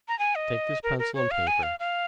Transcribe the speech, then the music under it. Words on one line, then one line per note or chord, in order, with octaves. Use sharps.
Take this pencil and paper.
A#5
G#5
D#5
A#4
A#4
C#5
F5
G#5
F5
F5